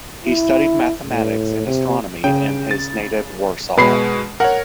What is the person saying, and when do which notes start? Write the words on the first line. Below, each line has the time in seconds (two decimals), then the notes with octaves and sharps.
He studied mathematics and astronomy in his native Warsaw.
0.25 E4
1.05 A2
1.67 C3
2.24 C#3 G5
2.71 A6
3.77 B2 G#3 B4 B5 C7
4.40 A#4 C#5 F#5